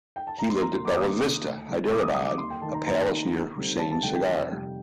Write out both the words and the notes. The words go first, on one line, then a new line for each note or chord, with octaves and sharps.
He lived at Bella Vista, Hyderabad, a palace near Hussain Sagar.
G5
A5
A#5
D#2 C6
A#5
D#3 A#3 C6
D6
D#2 D#6
D#3 A#3
D2
D3 G3 C4
D2 D6
D#6
D3 G3 C4 D#6
D6
D#2 C6
G5
D#3 A3 D#4 A5
A#5
D#2 A#5
D#3 A3 D#4
D#2
D3 G3 C4 D#4
D#2 A5
A5
D3 G3 C4 D#4 G5
G5
F2
C3 G3